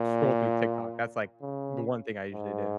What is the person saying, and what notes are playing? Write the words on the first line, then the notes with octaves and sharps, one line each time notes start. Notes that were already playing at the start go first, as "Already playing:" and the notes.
scroll through TikTok. That's, like, the one thing I usually do.
Already playing: A#2
C#3
G#2